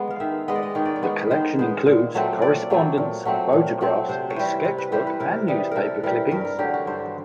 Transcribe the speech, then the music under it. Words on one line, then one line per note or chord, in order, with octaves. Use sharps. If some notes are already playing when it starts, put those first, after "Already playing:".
The collection includes correspondence, photographs, a sketchbook, and newspaper clippings.
Already playing: G#3 B3
F5
D#3 E5
G#3 B3 D#5
D5
D#5
D#3 C#5
D5
C#5
G#3 B3
B4
D#3 C5
G#3 B3 C5
A#2
F#3 A3 C4
A#2 D5
F#3 A3 C4 C#5
A#2
F#3 A3 C4
A#2
F#3 A3 C4
C3 C5
C#5
E3 G3 C5
C3
B4
E3 G3 C5
B4
C3 A#4
E3 G3 G#4
C3 A4 A#4
E3 G3 A#4
G2 A#4
A#4
D3 F#3 G4
F#4
G2 C5